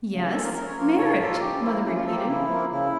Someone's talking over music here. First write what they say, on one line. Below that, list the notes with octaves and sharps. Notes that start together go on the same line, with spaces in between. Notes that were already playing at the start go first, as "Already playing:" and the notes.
"Yes, marriage!" mother repeated.
C#3
F3 A#3 A4
A#4
C#3 A#4
C#5
F3 A#3 A#4
C#3 C#5
F3 A#3 A4
F4
C#3 G4
F3 A#3 E4
C#3 E4
F4
F3 A#3 A4
G4
C#3 E4
F3 A#3
C#3 E4